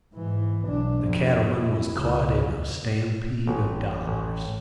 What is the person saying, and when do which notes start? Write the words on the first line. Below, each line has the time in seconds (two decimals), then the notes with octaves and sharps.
The cattleman was caught in a stampede of dollars.
0.14 G#2 E3
0.63 B1 D4
1.03 F2
1.53 E4
1.98 C#2 C#3
3.47 A1
4.07 A1